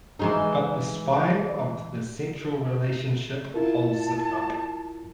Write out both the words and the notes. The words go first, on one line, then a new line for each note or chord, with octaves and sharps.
But the spine of the central relationship holds it up.
E3 G#3 D#4
E4 F4 A#4 A5